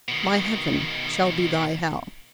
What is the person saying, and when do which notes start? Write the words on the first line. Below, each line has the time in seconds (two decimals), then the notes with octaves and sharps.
My heaven shall be thy hell.'
0.09 B2 D#3